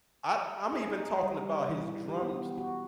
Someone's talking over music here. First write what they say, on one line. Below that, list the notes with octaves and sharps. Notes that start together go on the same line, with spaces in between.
I I'm even talking about his drums
G#4
D#4
G3
E3
G4
B3
F#4